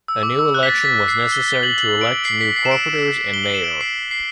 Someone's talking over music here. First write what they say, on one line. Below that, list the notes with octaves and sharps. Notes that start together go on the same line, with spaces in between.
A new election was necessary to elect new Corporators and Mayor.
E6
D6
E6
F#6
B6
A6
B6
C7
G7
G7
F#7
F#7
D7
C7
B6
C7
E7
D7
G7
F#7
E7
D7
C7
C7